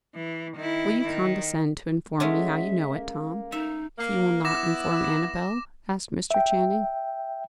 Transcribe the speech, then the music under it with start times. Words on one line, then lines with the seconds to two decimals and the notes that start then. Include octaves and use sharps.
"Will you condescend to inform me how you know it, Tom, if you will not inform Annabel?" asked Mr. Channing.
0.15 E3
0.57 D#3 E4
1.03 D#3
2.20 G#3 A3 C#4 F#4 E5
2.91 A#3
3.52 D#4 E5
3.97 A#3
4.45 B3 E4 D6 A#6 E7
6.31 E5 G5